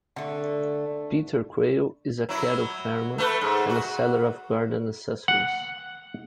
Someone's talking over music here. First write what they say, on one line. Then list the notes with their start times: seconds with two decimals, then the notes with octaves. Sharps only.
Peter Quail is a cattle farmer and a seller of garden accessories.
0.16 D3 A3
2.29 F#3 E4
3.18 A3 B4
3.41 G#2
3.69 F#4
5.28 F#5